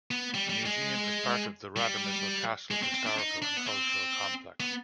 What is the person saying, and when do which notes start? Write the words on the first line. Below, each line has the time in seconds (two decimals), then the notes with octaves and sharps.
The Museum is the part of the Radomysl Castle historical and cultural complex.
0.11 B3
0.34 G3
0.49 G3
0.66 G#3
1.76 G3
2.71 G#3
2.83 C4
2.94 C4
3.06 D4
3.19 D#4
3.42 D4
3.57 B3
3.66 C4
4.60 B3